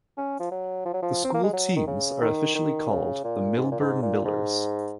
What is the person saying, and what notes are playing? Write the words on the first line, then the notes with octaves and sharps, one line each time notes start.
The school teams are officially called the Millburn Millers.
C#4
F3
F#3
F3
F#3
F3
C4
A#3
G#3
F#3
D#3
C#3
D#3
D#3
C#3
A#2
G#2
A#2
G#2
A#2
G#2